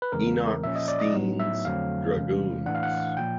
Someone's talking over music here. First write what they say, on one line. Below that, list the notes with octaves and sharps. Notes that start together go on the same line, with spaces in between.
Enoch Steen's dragoons.
B4
E2 C#3 E3 G#3 C4 A#4
A#2 F3 A#3 C#4 E5
D#5
D5
D#5
A2 F#3 B3 D#4
E5
F2 D3 F#3 A3 C4 F5
E2 C3 E3 G#3 C#4
A2 E3 A3 D4 F#5
F5
F#5
A#2 F3 G5